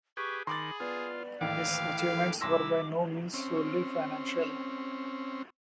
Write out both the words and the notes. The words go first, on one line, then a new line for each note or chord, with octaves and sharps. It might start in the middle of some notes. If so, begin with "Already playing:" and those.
His achievements were by no means solely financial.
G4 G#4 B4 C#6
D#3 G#4 B5 C6 D6 A6
B3 F4 D5
D#2 A2 E3 F5 D6
A4 F5
C2 E4 C6 D6 E6 A#6
C4 C#4